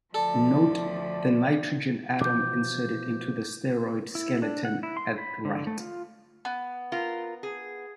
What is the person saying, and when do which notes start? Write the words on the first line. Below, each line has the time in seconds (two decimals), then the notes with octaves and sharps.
Note the nitrogen atom inserted into the steroid skeleton at right.
0.14 D2 F3 A4 D5
2.21 B2 E3 F3 D6 G6
4.15 E4
4.42 D4
4.65 F#5
4.83 E4
4.97 C6
5.18 B5
5.45 D3
5.67 A3
5.80 F4
6.45 B3
6.92 F4 A#4
7.43 G#4